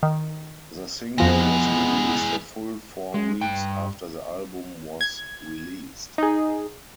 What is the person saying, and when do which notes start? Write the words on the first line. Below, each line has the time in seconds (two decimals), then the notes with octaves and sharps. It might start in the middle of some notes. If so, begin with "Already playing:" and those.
The single was released a full four weeks after the album was released.
0.03 D#3
1.18 F2 E3 F3 G#3 B3 A#6
3.14 G#3
3.41 G2 G5
5.01 G#6
6.18 D#4 G#4